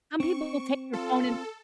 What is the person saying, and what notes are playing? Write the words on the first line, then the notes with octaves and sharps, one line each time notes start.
Some people will take their phone and
C4 C#6
F4 A4